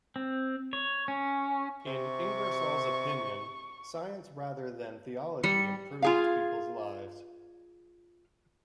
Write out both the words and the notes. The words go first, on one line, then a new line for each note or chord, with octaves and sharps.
In Ingersoll's opinion science rather than theology improved people's lives.
C4
C#5
C#4
C3 C#6
G3 C#7
F4 G#4 F5